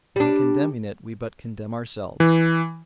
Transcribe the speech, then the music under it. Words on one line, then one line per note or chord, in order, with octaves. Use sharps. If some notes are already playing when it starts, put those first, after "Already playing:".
In condemning it we but condemn ourselves.
G3 D4
E3